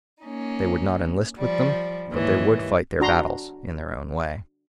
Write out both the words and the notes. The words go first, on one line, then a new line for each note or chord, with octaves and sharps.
They would not enlist with them, but they would fight their battles in their own way.
A#3 C#4 D#4
F3 G3
D#2 G#2 E3 C#5
D4 F#4 A#5 C6